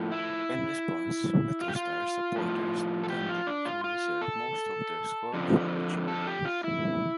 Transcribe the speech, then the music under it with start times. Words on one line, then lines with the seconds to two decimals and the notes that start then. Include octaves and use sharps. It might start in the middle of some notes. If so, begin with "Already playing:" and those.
In response, MetroStars supporters tended to reserve most of their scorn for Richie Williams.
Already playing: A2 F3
0.12 E4
1.61 F4
1.68 G4
1.76 F4
2.36 A2 F3
3.03 A4
3.10 G4
3.29 F4
3.47 D4
3.66 F4
3.84 F4
4.22 A4
5.34 F2 D3 F3
6.08 A4
6.27 G4
6.45 F4
6.64 E4